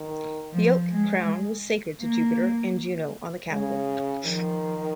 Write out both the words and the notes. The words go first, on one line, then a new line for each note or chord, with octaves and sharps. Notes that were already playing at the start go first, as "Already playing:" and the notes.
The oak crown was sacred to Jupiter and Juno on the Capitol.
Already playing: D#3
F3
G#3
A#3
C#3 G#3
D#3 F3